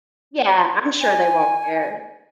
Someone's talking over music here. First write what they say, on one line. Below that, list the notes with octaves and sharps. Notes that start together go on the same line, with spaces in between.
Yeah, I'm sure they won't care,
G#5